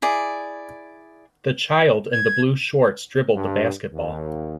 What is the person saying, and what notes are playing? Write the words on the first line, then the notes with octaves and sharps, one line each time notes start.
The child in the blue shorts dribbled the basketball.
E4 G#4 D5
G#6
G2
D#2